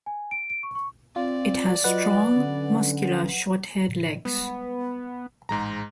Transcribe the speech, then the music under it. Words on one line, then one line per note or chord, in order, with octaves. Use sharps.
It has strong, muscular, short-haired legs.
G#5
D7
D7
C#6
C#6
C4 F4 D5
F#3 F4 B4 D#5 F#5
D3 C#4
A2 C#3
G3 G#3 B3
A1 G#2 G#3 A#5